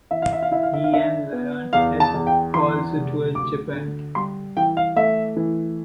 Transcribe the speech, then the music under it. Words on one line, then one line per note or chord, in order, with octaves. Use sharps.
He and Lyons had also toured Japan.
E3 E5
F5
E5
F5
E4 E5
F5
E5
F5
D4 E5
B3
E2 F5
A5
E2
G5
E3 C6
F1
D2 D6
D3
G3 C6
E3 G5
F5
A3 E5
E3